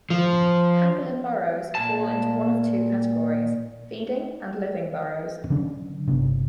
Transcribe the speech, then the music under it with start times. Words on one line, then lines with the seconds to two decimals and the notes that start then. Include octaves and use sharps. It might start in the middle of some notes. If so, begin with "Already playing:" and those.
Pangolin burrows fall into one of two categories: feeding and living burrows.
0.10 F3
1.75 A#2 A5
5.50 D3 F#3 C#4 D4
6.07 G1 C3 B3 D4